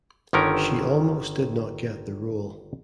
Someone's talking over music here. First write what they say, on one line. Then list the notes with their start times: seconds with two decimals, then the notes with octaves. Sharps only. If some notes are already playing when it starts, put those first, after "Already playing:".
She almost did not get the role.
0.33 G1 D3 D#3 C#4 A#4